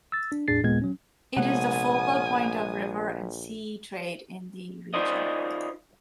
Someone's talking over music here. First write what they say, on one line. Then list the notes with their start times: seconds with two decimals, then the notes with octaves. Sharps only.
It is the focal point of river and sea trade in the region.
0.12 E6 A6
0.32 D4
0.48 E2 A2 D4 G#4 A6 C7
0.63 G#1 D#2 A#2 G#3 B3 G#6
0.82 F#3 C#4
1.36 A#1 C3 G#3 B3 F#5 G#5 D#6
4.94 D#4 F4 A#4 C5 D5 D#5